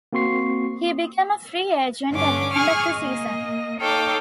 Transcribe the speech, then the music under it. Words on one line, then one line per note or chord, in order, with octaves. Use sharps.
He became a free agent at the end of the season.
A#3 C4 F#4 C6 C#6 C7
G2 D3 C#4 D6
G#4 G#5 C#6 F6
A#3 D#5
D#4 A4 C#5 F5 G5 D6